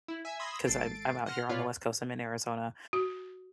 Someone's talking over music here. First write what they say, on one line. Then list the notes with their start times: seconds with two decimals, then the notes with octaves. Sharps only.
'cause I'm I'm out here on the West Coast. I'm in Arizona.
0.08 E4
0.25 E5 G#5 E6
0.39 B5 C6 D#6 E6 G#6 A#6
0.65 G#1 A4 A6 C7 D7
1.26 F#5 C6 F6 A#6
1.49 A#2 F4 B4 C#5 D5 F5
2.93 F#4